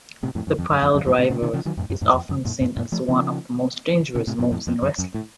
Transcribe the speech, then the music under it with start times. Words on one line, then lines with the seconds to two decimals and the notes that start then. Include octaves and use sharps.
The piledriver is often seen as one of the most dangerous moves in wrestling.
0.23 A2 C3
0.35 F2 A2
0.47 F#2
0.59 F2
0.71 F#2
0.82 F2
0.95 F#2
1.06 F2 A2
1.18 A2 C3
1.30 A#2 C#3
1.42 C3 D#3
1.53 C#3 F3
1.65 D#3 F#3
1.77 F2 A2
1.90 F#2
2.01 F2 A2
2.14 F2
2.29 F#2
2.45 F#2 A#2
2.61 F#2 A#2
2.77 F#2 A#2
2.92 F3 A3
3.09 C#3 F3
4.15 A#2 C#3
4.27 A2 C3
4.39 F#2 A#2
4.51 F2 A2
4.67 F2
4.83 F#2
4.99 F#2
5.14 A2